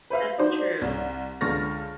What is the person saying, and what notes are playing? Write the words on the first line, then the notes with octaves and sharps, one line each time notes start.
That's true.
B4 C5 E5 F5
D4 D#4 F#4 C5
C2
C#2 D3 C#6 F6 A6 A#6